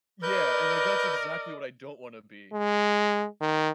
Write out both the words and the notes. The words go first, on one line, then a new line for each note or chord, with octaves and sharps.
Yeah, and, like, that's exactly what I don't wanna be,
A#4 B4 D5 D#5 G6
G#3
D#3